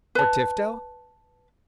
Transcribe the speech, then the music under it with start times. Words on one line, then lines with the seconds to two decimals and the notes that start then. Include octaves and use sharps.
"Or Tifto?"
0.15 B4 A5